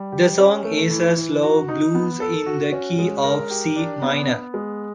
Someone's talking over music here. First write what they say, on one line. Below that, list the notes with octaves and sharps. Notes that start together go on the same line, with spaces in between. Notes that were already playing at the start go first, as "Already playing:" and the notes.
The song is a slow blues in the key of C minor.
Already playing: G3
G4
C#4
A3
E3
E3
F#4
D#4
B3
A4
F#4
C#4
G#3
A#4
G4
D4
B3
B3
G#3